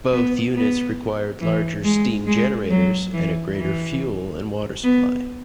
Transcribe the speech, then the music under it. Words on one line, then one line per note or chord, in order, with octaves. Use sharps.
Both units required larger steam generators, and a greater fuel and water supply.
B3
B3
E3
G#3
G#3
F#3
E3
E3
B3